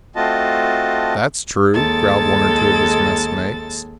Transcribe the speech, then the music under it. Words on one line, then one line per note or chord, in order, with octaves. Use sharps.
"That's true," growled one or two of his messmates.
A3 C4 F4 F#4 D#5 A5
D#2 G#3 A4 A6